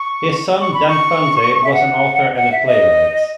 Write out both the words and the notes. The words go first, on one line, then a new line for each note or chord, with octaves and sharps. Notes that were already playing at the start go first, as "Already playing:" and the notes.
His son Dan Fante was an author and playwright.
Already playing: C#6
C#6
B5
C#6
E5
F#5
F#5
E5
D#5